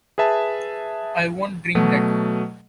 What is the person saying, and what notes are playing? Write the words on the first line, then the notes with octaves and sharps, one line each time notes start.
I won’t drink that.
G#4 B4 E5 A5
B2 F#3 A3